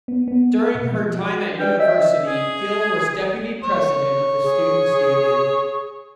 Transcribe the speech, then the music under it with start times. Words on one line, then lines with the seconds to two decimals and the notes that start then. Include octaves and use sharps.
During her time at university, Gill was Deputy President of the Students Union.
0.08 B3
0.28 B3
0.75 B2
0.92 F3
1.19 F#4
1.59 D4 B4 D5 G5
1.79 C#5 D#5 E5
2.27 G#4
3.64 C#5
4.43 G#4